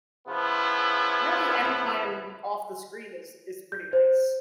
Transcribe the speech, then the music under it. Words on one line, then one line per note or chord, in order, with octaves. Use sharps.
Really anytime off the screen is is pretty nice.
C#3 F3 B3 E4
G6
C5